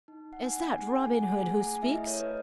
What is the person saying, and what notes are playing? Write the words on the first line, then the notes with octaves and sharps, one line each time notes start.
"Is that Robin Hood who speaks?"
D#4
D#4 F#5
G#5
F#5
B3 G#5
F#5
G#5
G#4 F#5
G#5
A3 F#5
G#5
F#5
G#4 G#5
A3 G#5
E4 E5
D#5
A4 C#5
B4